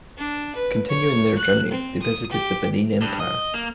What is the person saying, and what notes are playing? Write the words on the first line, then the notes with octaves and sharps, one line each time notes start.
Continuing their journey, they visited the Benin Empire.
D4
B4
C#5
F#6
C4
D#6
G4
G2
D#5
A#3